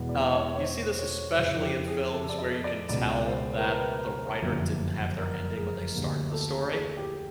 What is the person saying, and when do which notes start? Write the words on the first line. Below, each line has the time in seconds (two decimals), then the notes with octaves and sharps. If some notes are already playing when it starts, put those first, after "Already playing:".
Uh, you see this especially in films where you can tell that the writer didn't have their ending when they started the story.
Already playing: E2 B2 G#3 B3
0.09 D5
0.34 C#5
0.56 C#5
0.60 C5
0.98 C#5
1.36 F2 C#3 E3 C5
1.62 G4
1.88 G#4
2.13 A4
2.29 D5
2.39 D#5
2.64 D5
2.89 C#2 B2 G#3 B3 D5
3.27 C5
3.58 A#4
3.66 B4
4.42 F#1 F2 D3 G3 A#3
5.18 A#4
5.57 G#4
5.95 D2 D3 G3 A#3
6.33 A4
6.71 G#4
6.97 G4